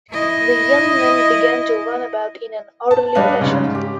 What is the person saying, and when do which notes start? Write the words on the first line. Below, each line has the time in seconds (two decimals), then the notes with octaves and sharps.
The young men began to run about in an orderly fashion.
0.11 E4 D#5
2.91 A5
3.15 G3 D4 B4 C#5 D#5 F5
3.41 G#2 C#3
3.75 G4